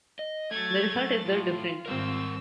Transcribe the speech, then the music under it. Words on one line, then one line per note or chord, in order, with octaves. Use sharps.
The result is the "difference".
D#5
F#3 A3 G#6 A6
A2 F4
G#1 G3 C4 A#4 E6